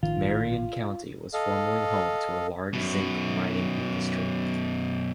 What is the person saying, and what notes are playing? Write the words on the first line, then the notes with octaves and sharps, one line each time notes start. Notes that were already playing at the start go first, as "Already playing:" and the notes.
Marion County was formerly home to a large zinc mining industry.
A1 D#3 F3 F4
A4 D#5 F5
F#2 B2